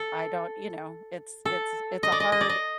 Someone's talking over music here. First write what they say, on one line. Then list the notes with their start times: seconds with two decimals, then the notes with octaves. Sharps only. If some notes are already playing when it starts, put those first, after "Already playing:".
I don't you know, it's it's it's a hard
Already playing: A4
1.45 A4
2.03 D#5
2.12 D5
2.20 D#5
2.32 D#5
2.41 D5
2.49 D#5